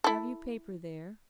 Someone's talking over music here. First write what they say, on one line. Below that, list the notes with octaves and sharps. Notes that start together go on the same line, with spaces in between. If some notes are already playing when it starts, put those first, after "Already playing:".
Have you paper there?
E4 A4